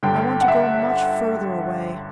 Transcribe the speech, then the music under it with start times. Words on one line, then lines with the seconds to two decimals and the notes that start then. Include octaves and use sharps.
I want to go much further away.
0.03 G1 G2 D3 G5
0.41 F#5
0.48 E5